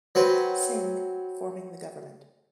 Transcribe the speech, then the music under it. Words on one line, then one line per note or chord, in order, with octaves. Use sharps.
Singh, forming the government.
F#3 C4 B4